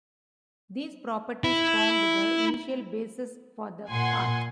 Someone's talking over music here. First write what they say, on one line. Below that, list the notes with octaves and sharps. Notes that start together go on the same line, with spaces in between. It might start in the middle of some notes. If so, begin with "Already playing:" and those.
These properties formed the initial basis for the park.
E4
A#2 F#5 G#5 C6